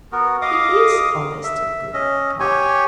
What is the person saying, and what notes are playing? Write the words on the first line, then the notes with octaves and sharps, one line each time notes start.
"He is honest and good, papa."
B3 F#4 A#4
D#5 F5 D6 D#6
E5
C#4 D#5
G4 C#5 G#5